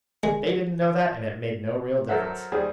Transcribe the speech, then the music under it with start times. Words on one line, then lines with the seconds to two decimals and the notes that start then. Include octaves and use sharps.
But they didn't know that, and it made no real difference.
0.23 G#3
2.09 F#3 A4 A#4 C5 E5 F#5
2.52 D#2 G3 G#4 C5